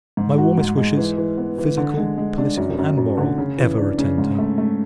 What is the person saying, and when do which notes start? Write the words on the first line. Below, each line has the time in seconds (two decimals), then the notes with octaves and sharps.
My warmest wishes--physical, political, and moral--ever attend her.
0.17 G#2
0.38 F#4
0.58 G#2
0.77 G#3
0.97 E3
1.18 E3
1.38 B3
1.58 E3
1.77 D3
1.97 G#3
2.18 G#3
2.38 D4
2.57 F#2
2.78 F#2
2.97 F#2
3.17 D3
3.38 C#3
3.58 E3
3.78 D4
3.98 C#3
4.18 G#2
4.38 A3
4.58 A3